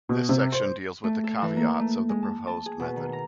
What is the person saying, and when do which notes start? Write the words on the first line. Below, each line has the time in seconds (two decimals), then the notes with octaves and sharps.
This section deals with the caveats of the proposed method.
0.09 B2
0.29 C3
0.52 C5
1.04 A3
1.24 A4
1.42 E3
1.56 A#3
1.80 A3
2.09 G#3
2.23 A5
2.47 A5
2.66 G#4
2.80 B2
2.96 D#3
3.13 A#5